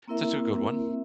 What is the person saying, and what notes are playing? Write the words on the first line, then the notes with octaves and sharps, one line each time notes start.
That's a good one.
A#3 C4 E4 A#4 E5